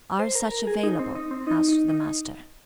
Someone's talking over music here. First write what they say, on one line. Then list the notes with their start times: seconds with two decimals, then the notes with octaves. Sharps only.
"Are such available?" asked the Master.
0.19 C5
0.35 A#4
0.51 A#4
0.67 G#4
0.83 D#4
0.99 C4
1.15 D#4
1.31 C4
1.47 D#4
1.69 D#4
1.90 D#4